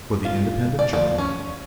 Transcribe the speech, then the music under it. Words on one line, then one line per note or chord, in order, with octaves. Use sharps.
For the Independent Journal.
F4
D5
F3
C#4